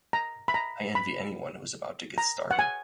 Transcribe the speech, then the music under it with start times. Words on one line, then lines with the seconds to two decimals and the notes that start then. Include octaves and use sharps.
I envy anyone who’s about to get started.
0.13 A#5
0.48 B5
0.54 A#5
0.95 B5
2.18 A#5
2.51 F#5
2.59 G#5